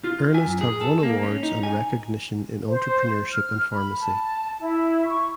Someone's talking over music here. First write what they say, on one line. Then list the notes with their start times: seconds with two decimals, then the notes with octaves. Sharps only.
Ernest have won awards and recognition in entrepreneurship and pharmacy.
0.04 F4
0.34 G#5
0.46 F#2
0.61 G#4
0.81 A4
1.03 A#3
1.23 C#4
1.43 D#4
1.63 G#5
2.70 C5
3.32 F6
3.73 B5
4.02 A5
4.60 E4
5.07 C#6